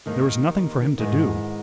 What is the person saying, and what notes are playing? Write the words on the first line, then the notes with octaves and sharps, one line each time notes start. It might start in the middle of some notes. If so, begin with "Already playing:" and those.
There was nothing for him to do.
D#2 D#3 G3 A#3
G#2 D#3 G#3 B3 E4